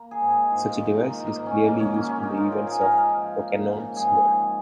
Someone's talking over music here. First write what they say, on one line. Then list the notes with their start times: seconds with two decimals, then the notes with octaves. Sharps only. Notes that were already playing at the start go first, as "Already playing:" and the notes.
Such a device is clearly used in the events of "Rocannon's World".
Already playing: A#3
0.11 G#4
0.21 G#2
0.31 G#4
0.50 G#2 F4
0.78 D#3
1.08 A#3 D#4
1.27 A#3
1.36 G#2
1.46 C#4
1.65 G#2 A#3
1.80 C#4
1.94 D#3 A#3
2.09 C#4
2.23 A#3 D#4
2.37 F4
2.52 G#2 A#4
2.67 G#4
2.81 G#2 A#4
3.10 F3
3.39 A#3
3.68 G#2
3.96 G#2 G#4
4.25 F3